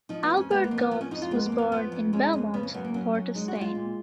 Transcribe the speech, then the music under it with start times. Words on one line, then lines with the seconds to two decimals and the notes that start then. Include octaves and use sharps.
Albert Gomes was born in Belmont, Port of Spain.
0.09 F3 D#4
0.23 B3
0.30 F2
0.37 C#4
0.50 G#3 B3
0.64 A#3
0.71 F2
0.78 B3
0.91 F3 B3
1.01 C#4
1.11 F2 D#4
1.22 F4
1.31 G#3 B3
1.46 A#3
1.52 F2
1.58 B3
1.72 F3 B3
1.92 F2
2.13 G#3 C#4
2.33 F2
2.54 C#3 B3
2.63 C#4
2.74 F#2 B3
2.85 A#3
2.94 F#3 C#4
3.15 F#2
3.34 G#3 D#4
3.48 F#4
3.55 G#3
3.61 F4
3.75 A#2